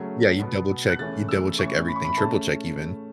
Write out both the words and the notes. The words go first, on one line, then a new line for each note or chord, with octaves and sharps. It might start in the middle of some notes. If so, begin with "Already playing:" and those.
Yeah, you double check you double check everything, triple check even.
Already playing: C#3 F#3 A3 C#4
B2 B3
F#6
C#3 E3 A3 C#4 A6
E6
A2 E3 C#4 C#6
B5
C#6
B5
C#3 A3 C#4 A5